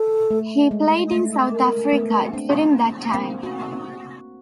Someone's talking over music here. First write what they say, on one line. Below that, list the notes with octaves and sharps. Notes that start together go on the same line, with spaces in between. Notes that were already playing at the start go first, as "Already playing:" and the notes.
He played in South Africa during that time.
Already playing: A4
A3
G#3
A3
A#4
A3 B3
C4 D4
A#3 C4
F#4